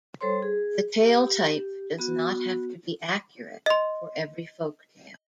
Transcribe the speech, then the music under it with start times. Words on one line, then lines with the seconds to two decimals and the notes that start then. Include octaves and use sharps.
The tale type does not have to be accurate for every folktale.
0.21 G3 A4 C5 C#5 C6
0.42 G#4
1.01 G4
1.99 B3 F#4
3.66 D#5 C6